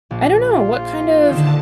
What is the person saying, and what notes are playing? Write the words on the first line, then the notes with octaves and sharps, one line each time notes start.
I don't know, what kind of
A#1
F4
D3 D#3 D#4 A5